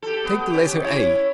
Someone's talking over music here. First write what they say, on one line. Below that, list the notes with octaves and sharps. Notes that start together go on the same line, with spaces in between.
Take the letter a.
G4 A4
B3
C#4 G4
C#4 E4 C#5